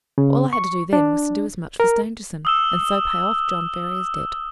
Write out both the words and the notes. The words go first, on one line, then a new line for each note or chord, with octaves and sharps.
All I had to do then was to do as much for Stangerson, and so pay off John Ferrier's debt.
C#3
C#6
D4
A#4
D#6 E6 E7